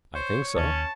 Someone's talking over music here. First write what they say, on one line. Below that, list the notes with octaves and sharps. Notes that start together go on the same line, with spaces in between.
"I think so."
C5 C#5
D#2 C#4 A5